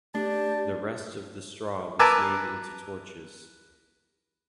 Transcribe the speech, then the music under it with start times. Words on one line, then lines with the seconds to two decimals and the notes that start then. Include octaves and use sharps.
The rest of the straw was made into torches.
0.15 A3 D4 G4 A5
1.99 A#4 B4 G#5 A5 D6 E6